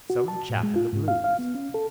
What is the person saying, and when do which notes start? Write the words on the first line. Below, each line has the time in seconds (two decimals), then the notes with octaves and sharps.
Some chap in the blues.
0.10 F#4
0.28 A5
0.50 A2
0.63 G#3
0.76 F4
0.93 G#2
1.08 F5
1.24 F5
1.39 B3
1.55 C#4
1.74 A4